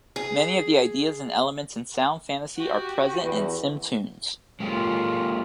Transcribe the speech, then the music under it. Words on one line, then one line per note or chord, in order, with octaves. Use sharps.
Many of the ideas and elements in "Sound Fantasy" are present in "SimTunes".
G#4
F#4 G4
E2 B4
G#3 A#3 C#4 F4 G4